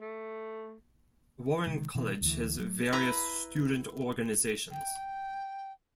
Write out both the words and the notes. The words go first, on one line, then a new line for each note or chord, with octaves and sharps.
Warren College has various student organizations.
A3
C3 D#3 G#3
B2 E3
D2 E3
F#3 A3
E4 B4 A#5
G5